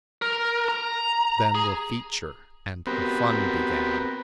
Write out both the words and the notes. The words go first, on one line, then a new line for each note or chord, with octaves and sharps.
Then the "feature" and the fun began.
A#4
A#5
G#4
B3 C4 F#4 G4 A#4 B4